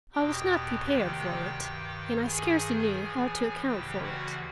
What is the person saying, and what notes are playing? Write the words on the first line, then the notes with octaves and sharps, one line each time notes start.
I was not prepared for it, and I scarcely knew how to account for it.
E2 B2 G4 G5
D2 C3 D#3 G4 G5
G2 D#3
G2 D#3 G#4 G#5
A2 E3
D2 C#3 E3 G4 G5
F#4 F#5